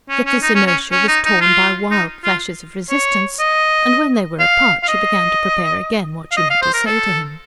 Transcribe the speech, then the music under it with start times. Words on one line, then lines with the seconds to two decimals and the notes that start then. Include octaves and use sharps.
Yet this inertia was torn by wild flashes of resistance, and when they were apart she began to prepare again what she meant to say to him.
0.09 C#4
0.26 C#4
0.42 D#4
0.55 C#4
0.67 C#4
0.92 C#4
1.08 D#4
1.25 D#4
1.41 F4
1.91 D#4
2.24 F4
2.90 C#5
3.40 D#5
4.39 F5
4.83 F5
4.88 D#5
6.32 F5
6.37 D#5
6.50 F5
6.62 C5
6.74 A#4
6.86 A4